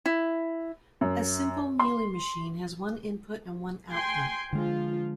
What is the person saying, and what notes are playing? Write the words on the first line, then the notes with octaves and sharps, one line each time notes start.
A simple Mealy machine has one input and one output.
E4
F#2
C6
G5 G#5 C6
D3 F3 G#3 F4